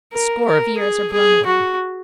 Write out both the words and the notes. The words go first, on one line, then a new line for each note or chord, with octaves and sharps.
A score of years are blown away.
A#4
A#4
G#4
G#4
F#4